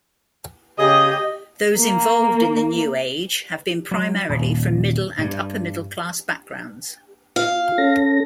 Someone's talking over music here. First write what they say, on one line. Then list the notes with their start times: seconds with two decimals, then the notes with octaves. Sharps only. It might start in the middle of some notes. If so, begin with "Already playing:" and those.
Those involved in the New Age have been primarily from middle and upper-middle-class backgrounds.
0.79 C#3 G4 G#4 D#5 D#6
1.78 A#3
3.91 F#3
4.29 D#1
5.18 G2
7.36 F4 F5
7.78 C#4 A4 A#6